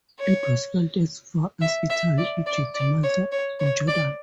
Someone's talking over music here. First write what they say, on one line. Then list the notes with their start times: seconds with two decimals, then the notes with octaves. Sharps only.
It was felt as far as Italy, Egypt, Malta and Jordan.
0.20 C#5
1.62 E5
1.90 E5
2.18 D5
2.46 D5
2.74 D5
3.03 C#5
3.32 C#5
3.60 C#5
3.88 D5